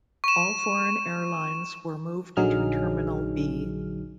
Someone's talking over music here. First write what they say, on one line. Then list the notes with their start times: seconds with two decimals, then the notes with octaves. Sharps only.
All foreign airlines were moved to Terminal B.
0.24 C#6 E7
2.37 A#1 D3 F#3 D#4 G#4 F6